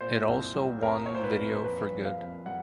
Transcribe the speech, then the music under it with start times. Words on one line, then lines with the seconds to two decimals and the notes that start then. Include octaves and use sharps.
It also won Video for Good.
0.01 A#2 C5
0.28 C2
0.55 G3
0.82 C2 A#4
1.06 C#5
1.10 A#2 C5
1.24 B4
1.37 C2
1.64 F2 B4
1.91 F2
2.05 F5
2.18 F2
2.46 G3 F#5